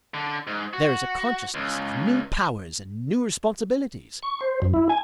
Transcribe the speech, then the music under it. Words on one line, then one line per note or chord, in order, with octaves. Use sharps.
There is a consciousness of new powers and new responsibilities.
D3
G#2
F#4
C#2
C#6
C5
F#2
E4
G#5